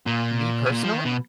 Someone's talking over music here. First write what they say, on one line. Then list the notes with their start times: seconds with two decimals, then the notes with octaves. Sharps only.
me, personally?
0.06 A#2
0.66 B2
0.72 A#2
0.83 F3
0.94 D#3
1.05 B2